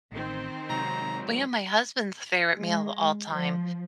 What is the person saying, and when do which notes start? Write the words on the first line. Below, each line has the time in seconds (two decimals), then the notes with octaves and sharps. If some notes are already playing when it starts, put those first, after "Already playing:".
Well, you know, my husband's favorite meal of all time
0.12 A1 D#3 C4
0.70 G#2 C3 F#3 A#5
2.55 G#3
3.28 F3